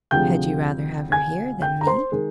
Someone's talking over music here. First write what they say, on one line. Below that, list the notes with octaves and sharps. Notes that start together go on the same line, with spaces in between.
"Had you rather have her here than me?"
D2 C3 F3 G#3 G5 G6
G#5 G#6
G5 G6
A#5
C5 C6
D#3 G#3